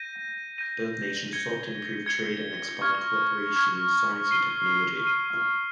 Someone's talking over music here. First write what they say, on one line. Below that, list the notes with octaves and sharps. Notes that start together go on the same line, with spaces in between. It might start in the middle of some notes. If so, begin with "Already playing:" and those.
Both nations sought to improve trade and expand cooperation in science and technology.
Already playing: G6 A#6 D#7
G6 A#6 D#7
G#6 C#7 G7
G#6 C#7 G7
C#6 F6 G#6
C#6 F6 G#6
F6 C7 D#7 G7
F6 C7 D#7 G7